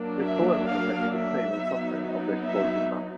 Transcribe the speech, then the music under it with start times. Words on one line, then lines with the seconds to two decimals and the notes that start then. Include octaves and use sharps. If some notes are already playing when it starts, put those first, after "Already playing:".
His poems reflected the pain and suffering of the exploited masses.
Already playing: F#3 A#3 D4
0.22 E5
0.67 F5
1.12 E5
1.58 F#3 B3 D#4
2.47 E5